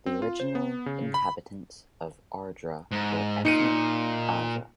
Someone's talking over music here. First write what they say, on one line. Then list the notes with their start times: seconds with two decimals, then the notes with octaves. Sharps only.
The original inhabitants of Ardra were ethnic Aja.
0.06 C4
0.22 F4
0.40 C5
0.55 B3
0.86 C#3
1.14 B5
2.91 G#2
3.45 A#2 D#4 C#7 D#7